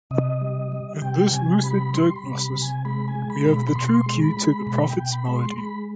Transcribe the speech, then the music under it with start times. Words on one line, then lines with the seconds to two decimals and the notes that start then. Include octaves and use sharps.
In this lucid diagnosis we have the true key to the prophet's malady.
0.11 C3 D#5
0.41 G3
0.72 G3
1.02 C3 G5
1.32 C3 G#5
1.59 G#5
1.63 G3 B5
1.93 G3 C6
2.16 B5
2.24 C3
2.39 B5
2.55 C3
2.62 G#5
2.85 G#3 B5
3.08 G#5
3.15 G#3
3.30 B5
3.46 B2
3.53 B5
3.68 B5
3.75 B2 C6
4.06 G#3
4.22 B5
4.37 G#3
4.67 B2 B5
4.90 G5
4.97 B2
5.12 B5
5.27 G#3
5.36 C6
5.58 G#3 B5